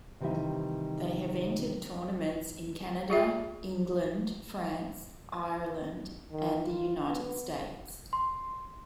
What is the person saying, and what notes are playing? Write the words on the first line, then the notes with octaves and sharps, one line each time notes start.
They have entered tournaments in Canada, England, France, Ireland and the United States.
C3 D#3 E3 G3 D#4 E5
F4 G#4 E5
D#3
F4
B3
C6